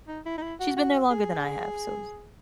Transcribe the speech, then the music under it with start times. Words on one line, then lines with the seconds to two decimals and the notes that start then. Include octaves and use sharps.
she's been there longer than I have, so s
0.08 D#4
0.26 E4
0.38 D#4
0.42 E4
0.60 F#4
0.77 F#4
1.10 G#4